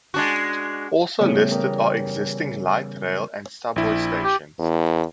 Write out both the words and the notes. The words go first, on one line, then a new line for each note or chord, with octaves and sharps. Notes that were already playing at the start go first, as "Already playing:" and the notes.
Also listed are existing light rail and subway stations.
G#3 D4 F#4
F2 A2 C#3 G3 B3 B4
E2 A#4 G5 D#6
A#1 E4
G4
E2